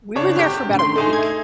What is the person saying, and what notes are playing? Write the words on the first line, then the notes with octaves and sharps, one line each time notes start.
We were there for about a week.
C#3 D4 C#5
G#1 G4 C#6
A2 C#4 D4
C6
A3 D#4 G#4
E5 G#5 G#6